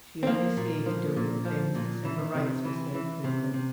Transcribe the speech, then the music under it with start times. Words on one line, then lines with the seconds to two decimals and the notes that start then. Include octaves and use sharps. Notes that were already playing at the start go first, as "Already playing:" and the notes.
She officiated over the famous December rites reserved for women.
0.23 C4
0.27 F3 A#3
0.57 A#2
0.86 F3
1.16 A#2
1.45 F3
1.75 A#2
2.05 E3
2.35 C3
2.65 E3
2.94 E3
3.24 C3
3.54 C3